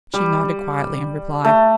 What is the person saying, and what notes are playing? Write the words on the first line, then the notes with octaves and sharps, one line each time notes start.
She nodded quietly in reply.
G3
A3